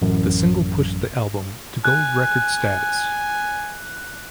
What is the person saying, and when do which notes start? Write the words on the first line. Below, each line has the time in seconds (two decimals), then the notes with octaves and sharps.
The single pushed the album to gold-record status.
0.02 A1 F#2
1.85 G#5 F#6